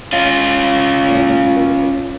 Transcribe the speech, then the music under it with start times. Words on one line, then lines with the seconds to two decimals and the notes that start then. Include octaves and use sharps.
and he just
0.13 C#4 F4